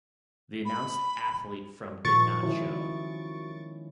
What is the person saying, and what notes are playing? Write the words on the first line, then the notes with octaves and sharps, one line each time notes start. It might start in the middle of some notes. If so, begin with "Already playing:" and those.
The announced athlete from did not show.
B5
A#2 D#3 F3 F4 C#6 A6 D7
D#3 F#3 G#3 C#4 E4 G#4